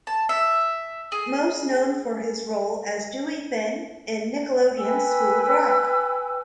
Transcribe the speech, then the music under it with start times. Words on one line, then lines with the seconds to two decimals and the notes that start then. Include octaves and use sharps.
Most known for his role as Dewey Finn on Nickelodeon's School of Rock.
0.07 A5
0.29 E5
1.12 G#4
4.78 B4 G5 G#5 E6